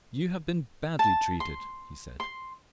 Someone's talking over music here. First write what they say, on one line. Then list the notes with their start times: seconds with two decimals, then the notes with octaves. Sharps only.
"You have been badly treated," he said.
0.99 A5
1.40 C6
2.20 C6